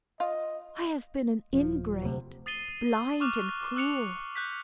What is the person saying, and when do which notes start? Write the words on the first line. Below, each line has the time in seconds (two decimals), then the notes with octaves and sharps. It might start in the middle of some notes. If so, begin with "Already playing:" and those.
I have been an ingrate, blind and cruel.
0.20 F4 D#5
1.53 D#1 F3
2.02 D2 C3
2.46 D#6 A6 C7 D#7 G7
3.20 C#6 D6 F6 F#6 F7
3.76 E6 F#6 C#7 F7
4.36 F#6 G6 B6